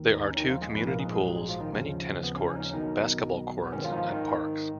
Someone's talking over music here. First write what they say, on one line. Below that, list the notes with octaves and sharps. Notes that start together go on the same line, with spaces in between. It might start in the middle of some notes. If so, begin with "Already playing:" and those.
There are two community pools, many tennis courts, basketball courts and parks.
Already playing: D#2 D#3
D#4
C#4
D#3 D#4
F3 F4
G#3 G#4
A#1 G#2 F3 B3 B4
A#3 A#4
G#3 G#4
G#3 G#4
F#3 F#4
G#3 G#4
F3 F4
D#3 D#4
D#2 C#3 F3 C#4
B3
C#4
C#4
D#4
C#4
B1 B2 D#3 D#4
B3
G#1 G#2 D#3 C#4
F3 F4
D#4
F3 F4
D#3 D#4